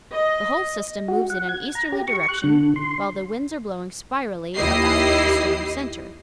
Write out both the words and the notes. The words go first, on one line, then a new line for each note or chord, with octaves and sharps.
The whole system moves in an easterly direction, while the winds are blowing spirally about the storm center.
D#5
F#4
F#5
G#6
A#5
G4
C#6
F#6
D3
C6
D#2 E4 G4 D#5 C7